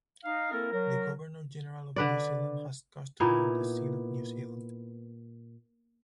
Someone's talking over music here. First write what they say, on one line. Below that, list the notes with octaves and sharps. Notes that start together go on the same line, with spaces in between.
The Governor-General of New Zealand has custody of the Seal of New Zealand.
D#4 F5
A#3 C4 E4 A4 A#4
F#3 A#4
D3 B4 D5
A#2 B3 D#4 E4